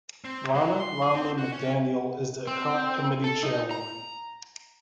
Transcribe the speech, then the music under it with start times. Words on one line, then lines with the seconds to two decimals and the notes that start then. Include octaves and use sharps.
Ronna Romney McDaniel is the current committee chairwoman.
0.24 C4
0.55 F#3
0.80 C6
1.02 G#4
1.15 C4
1.38 F#4
1.52 C#4
2.47 C4
3.24 A4
3.43 D#4
3.71 A#5